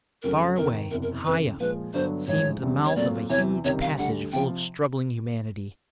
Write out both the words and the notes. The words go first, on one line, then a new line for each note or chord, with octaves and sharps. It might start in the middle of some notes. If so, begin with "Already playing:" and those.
Far away, high up, seemed the mouth of a huge passage full of struggling humanity.
F2 C#3 F#3 A3 A#4
F2 C3 D#3 A#4
F#1 E2 C3 A#4
A#4
F#1 F2 C#3 B4
A#2 F3 G#3 B4
G2 D3 F#3 B3 C5
A1 G#2 F3 G#3 C#5
E2 C#3 E3 G3 C4
C#5
A#2 F#3 A3 C4 F4 D5
E2 C3 E3 C#5
C#2 C3 D#3 G3 C#5
F5
D2 D3 G3 F#5
C3 F3 G5